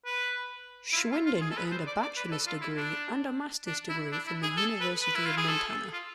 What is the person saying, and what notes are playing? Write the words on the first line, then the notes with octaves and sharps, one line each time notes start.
Schwinden earned a Bachelor's Degree and a Master's Degree from the University of Montana.
B4
E4
F4
F4
F4
G#4
A4
B4
C5
D5
D5
B4
A4
F4
E4
D4
D4
E4
D4
E4
G#4
A4
B4
B4
E4
F4
G#4
A4
F4